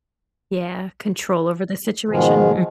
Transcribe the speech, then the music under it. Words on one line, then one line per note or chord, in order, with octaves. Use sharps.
yeah, control over the situation,
G#2 B2 D#3 F3 G#3